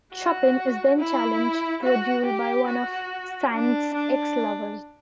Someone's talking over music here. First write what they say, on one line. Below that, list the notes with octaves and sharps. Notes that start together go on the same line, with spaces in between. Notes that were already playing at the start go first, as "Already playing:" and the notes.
Chopin is then challenged to a duel by one of Sand's ex-lovers.
F#4
E4
F#4
G4
F#4
D4
D4